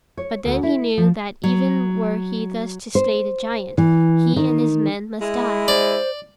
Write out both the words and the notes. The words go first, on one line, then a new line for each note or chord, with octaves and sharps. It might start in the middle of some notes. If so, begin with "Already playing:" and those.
But then he knew that even were he thus to slay the giant, he and his men must die.
C#5
D2
E4
F3
F#3
C5
E3
D#3
G#3 E4
C5 D5